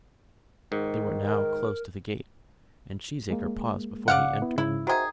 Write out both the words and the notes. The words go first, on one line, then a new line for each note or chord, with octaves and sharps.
They were now close to the gate, and Cheesacre paused before he entered.
G#2 D#3
A#4
G#3 A#3
C#3 D5 F5 F#5
B3 E4
G#2 C#3 E4
D#3 F#4 G#4 C5 E5